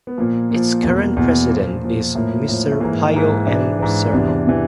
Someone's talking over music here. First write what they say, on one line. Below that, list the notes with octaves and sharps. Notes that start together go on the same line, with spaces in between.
Its current president is Mr. Pio M. Cernal.
B3
A#2 F3 A#3
A#2 F3
E2 B2 A#3
E2 B2
A#2 F3
A#2 F3
A2 F3 A#3
A2 F3
A3
G#2 E3 A#3
G#2 E3
G#2 E3 D4
G#2 E3
E2 C3 E3 D4
C3 E3